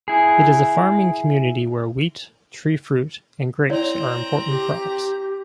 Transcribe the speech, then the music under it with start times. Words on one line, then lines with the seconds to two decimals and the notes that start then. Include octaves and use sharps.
It is a farming community where wheat, tree fruit, and grapes are important crops.
0.08 E4 G#4
3.70 C4 E4 C#5 D5 A#5
4.48 G4